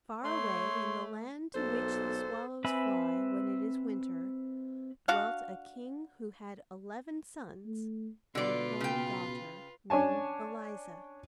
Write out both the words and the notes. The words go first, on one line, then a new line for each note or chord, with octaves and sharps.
FAR away in the land to which the swallows fly when it is winter, dwelt a king who had eleven sons, and one daughter named Eliza.
A3 C#5 C6
B1 A#2 A4 C5
C4 B4 E5 G#5 B5
D4 F#4 F5 F#5
A3
B2 D3 F4 B4 D5
C#3 G5
C#4 D4 C#5 G#5 A5